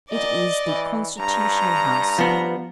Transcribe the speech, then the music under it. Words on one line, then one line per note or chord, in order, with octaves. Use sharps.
It is the constitutional House.
A#2 D5 D#5
E3
G2 A#5
F3 B3